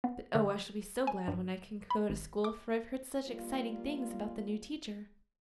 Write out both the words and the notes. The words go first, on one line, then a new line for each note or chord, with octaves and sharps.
But oh, I shall be so glad when I can go to school for I've heard such exciting things about the new teacher.
B3
D3
G#5
G2
B5
G#1
D6
G3 A#3 F4